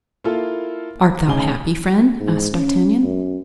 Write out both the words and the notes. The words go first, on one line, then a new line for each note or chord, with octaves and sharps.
"Art thou happy, friend?" asked D'Artagnan.
A#3 E4 F4 A4
A1 C#3 D#4 G#5 G7
G#2
C#4
F#2